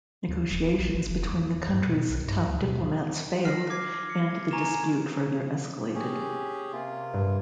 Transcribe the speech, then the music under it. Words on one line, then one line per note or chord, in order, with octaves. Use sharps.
Negotiations between the countries' top diplomats failed, and the dispute further escalated.
D#2
D#1
A#1
G#1
F1
E2
G2
B2
B1
G2
D2
B2
F6 A#6 C7
D6 G#6 C7
C#7
G#5 A#5 C#6 G#6 E7
C#4 G4 G#4
C3 A#3 F4
G2